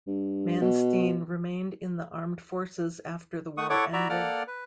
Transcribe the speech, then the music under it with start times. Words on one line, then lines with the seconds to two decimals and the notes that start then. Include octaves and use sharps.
Manstein remained in the armed forces after the war ended.
0.07 G2
0.61 B2
3.57 A3 F#5 C#6 D#6
3.70 E4 A4 C#5 F#5 C#6 D6
3.93 E4 F#4 D5 E5 A#5
4.09 A#3 A4 D5 F#5 D6 F6
4.47 B4